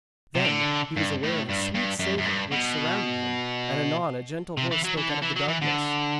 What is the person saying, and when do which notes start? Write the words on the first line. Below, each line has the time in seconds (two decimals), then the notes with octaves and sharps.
Then he was aware of a sweet savour which surrounded him, and anon a gentle voice spoke out of the darkness.
0.35 C3
0.45 D3
0.97 G2
1.23 A2
1.49 G2
1.74 G2
1.99 F#2
2.18 F#2
2.25 G2
2.51 B2
4.57 C3
4.71 E3
4.84 F#3
4.97 E3
5.09 D3
5.22 E3
5.36 F#3
5.48 E3
5.62 D3